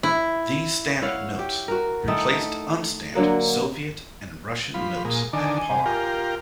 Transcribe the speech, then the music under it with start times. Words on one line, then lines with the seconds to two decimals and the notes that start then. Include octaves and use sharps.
These stamped notes replaced unstamped Soviet and Russian notes at par.
0.03 E4
1.02 E4 C#5 F5 F#5
1.39 G4
1.68 F#4 A#4
2.08 D#3 A3 D#4 E4
2.31 A3
3.14 D3 F#3 A#3 F#5
4.74 F3 B5
5.05 A#2 G#3
5.33 D3 D#3 D4 G#5
5.70 C3
5.86 F4 G4 A#4